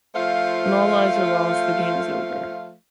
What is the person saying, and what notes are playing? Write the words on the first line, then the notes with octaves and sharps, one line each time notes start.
When all lives are lost, the game is over.
F3 A3 F4 C5 F5